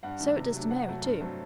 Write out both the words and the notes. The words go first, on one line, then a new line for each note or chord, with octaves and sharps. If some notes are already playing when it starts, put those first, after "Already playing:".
So it does to Mary, too.
G2 F#5
D#3 A3
C3
F#3 A3 D4
C3 F#5
F#3 A3
G2
F#3 A3 C4